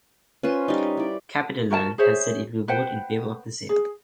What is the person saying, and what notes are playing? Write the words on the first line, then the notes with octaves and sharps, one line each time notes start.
CapitaLand has said it will vote in favor of the sale.
C#4 F4 B4 C5
G3 D#4
E4 D5
F#4 A#4 G5 A5
G#4 C5 C#5 E5
B4 C5 F#5 G5
G#4